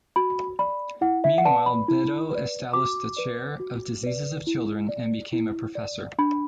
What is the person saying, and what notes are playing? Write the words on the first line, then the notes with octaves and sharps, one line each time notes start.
Meanwhile, Beddoe established the chair of Diseases of Children and became a professor.
F#4 B5
D5 B5
E4 F#5
E5
F#5
B4 D5 A5
B5
E4
B4 D5
F#4 D6
B4 D5
F#4
B4 D5
E4
D5
E4
D5
D4 B5